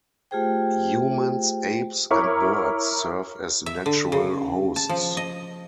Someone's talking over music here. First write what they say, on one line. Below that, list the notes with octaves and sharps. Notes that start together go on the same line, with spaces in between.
Humans, apes, and birds serve as natural hosts.
A3 F4 G4 G#4 C5 G5
E4 A#4 C#5 C#6 D6
E5
D3
C#3
A5
F3
D#5